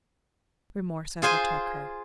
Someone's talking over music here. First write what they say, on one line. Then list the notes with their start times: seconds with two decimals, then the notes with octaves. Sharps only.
Remorse overtook her.
1.22 F4 G#4 C5 G#5